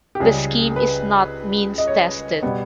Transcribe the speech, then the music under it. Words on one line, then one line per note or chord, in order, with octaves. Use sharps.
The scheme is not means tested.
G4
C#2 C#3 G3 G#4
B4
D#5
C#5
B2 G3 B3